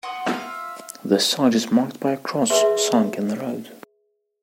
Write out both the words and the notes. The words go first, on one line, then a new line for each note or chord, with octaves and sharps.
The site is marked by a cross sunk in the road.
F#5 C6 D#6
F4 E5 F5
G#4 B4 E5 C6